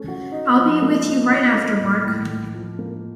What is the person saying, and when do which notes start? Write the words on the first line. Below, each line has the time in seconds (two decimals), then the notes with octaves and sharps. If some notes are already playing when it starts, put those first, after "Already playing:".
I'll be with you right after Mark.
Already playing: A3 C#4
0.08 F#4
0.32 D#4
0.56 F3
0.82 A#3
1.07 D#4
1.30 D#4
1.55 A#3
1.80 A2
2.05 A2
2.29 A2
2.54 F3
2.79 A#3